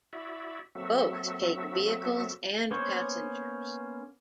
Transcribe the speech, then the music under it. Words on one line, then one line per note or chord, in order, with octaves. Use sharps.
Both take vehicles and passengers.
E4 F#4 D5 E5
F#3 A#3 C4 F#4 A4 E5
A#3 B3 C#4 C5 C#5